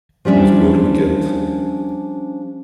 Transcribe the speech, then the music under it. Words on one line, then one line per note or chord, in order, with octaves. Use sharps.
He was born in Ghent.
F3 G3 C#4 D4 E5